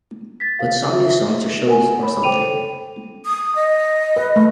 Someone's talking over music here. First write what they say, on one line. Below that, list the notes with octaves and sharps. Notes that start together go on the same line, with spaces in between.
But, some new songs or shows or something.
A6 B6
F5
E5
A#4 F#5 G#5
C#5 B5
A4 C5 G5 D#7 F7
D#6
D#5
B4
A3